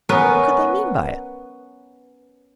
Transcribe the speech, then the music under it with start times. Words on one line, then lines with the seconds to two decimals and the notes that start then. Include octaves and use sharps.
What could they mean by it?
0.09 B3 C#4 A#4 B4